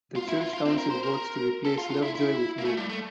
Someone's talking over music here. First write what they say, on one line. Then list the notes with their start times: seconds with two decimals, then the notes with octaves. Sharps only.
The church council votes to replace Lovejoy with Bode.
0.16 F4
0.29 E4
0.41 F4
0.53 F4
0.66 C4
0.78 A#4
0.90 C5
1.03 A#4
1.65 A4
1.78 F4
1.91 F4
2.02 E4
2.15 E4
2.59 A#3
2.65 A3
2.77 G3
2.90 A3